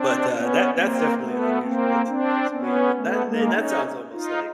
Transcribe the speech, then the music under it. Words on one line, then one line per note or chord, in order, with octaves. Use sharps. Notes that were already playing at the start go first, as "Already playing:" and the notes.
But, uh, that that's definitely an unusual t one to me. That th and that sounds almost, like
Already playing: C4 D4
B3 C#4
A#3 C4
A3 B3
A#3 C4
C4 D4
B3 C#4
A3 B3
G#3 A#3
C#4 D#4
D#4 F4